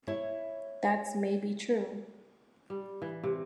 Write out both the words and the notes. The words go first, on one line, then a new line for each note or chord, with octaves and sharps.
That's maybe true.
E4 C#5
G3
E3
C3